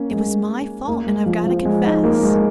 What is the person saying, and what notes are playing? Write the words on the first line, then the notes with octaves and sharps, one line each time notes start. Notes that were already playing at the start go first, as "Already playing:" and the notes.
It was my fault and I've got to confess.
Already playing: A#3 C#4
G#3
A#3
G#3
F3
F3
G#3
D#4
A#3
G#3